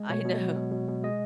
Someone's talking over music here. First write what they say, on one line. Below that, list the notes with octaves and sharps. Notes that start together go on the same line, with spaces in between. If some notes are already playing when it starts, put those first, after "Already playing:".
I know.
Already playing: G#3
B2 C#5
B2
F#3
B2
B2
B2
G#3 D#5